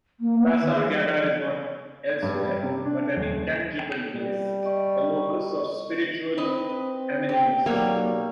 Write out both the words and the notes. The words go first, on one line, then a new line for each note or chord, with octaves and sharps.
Passargada is not elsewhere, but an intangible place, a locus of spiritual amenus.
A#3
B3
D#3
G#4
G3
F3
G#6
G2
G3
C3
D4
D#1
G3
D5 D#5 C#6
C4 B4 D#5
G4
B1 F#3 G3 A#3 C#5